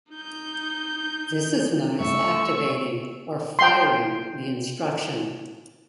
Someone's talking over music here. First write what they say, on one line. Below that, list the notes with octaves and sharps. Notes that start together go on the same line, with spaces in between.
This is known as "activating" or "firing" the instruction.
D#4 G6
A3 E5 C#6 E6
G5 C6